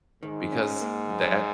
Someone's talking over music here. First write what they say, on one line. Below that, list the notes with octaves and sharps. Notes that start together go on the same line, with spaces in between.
because that
G#2 D#3
C#4
A#3
F#2